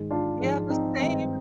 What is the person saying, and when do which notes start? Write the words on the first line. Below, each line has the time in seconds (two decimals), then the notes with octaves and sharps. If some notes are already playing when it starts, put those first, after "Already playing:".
Yeah, the same.
Already playing: G#2 D#3 G#3
0.11 D4 F4
0.41 G#2 F3 G#3
0.70 C4 D#4
0.99 G2 D#3 G#3 C4 D#4